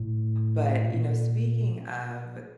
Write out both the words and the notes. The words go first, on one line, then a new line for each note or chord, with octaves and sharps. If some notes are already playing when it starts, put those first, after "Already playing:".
But, you know, speaking of,
Already playing: A2
A#2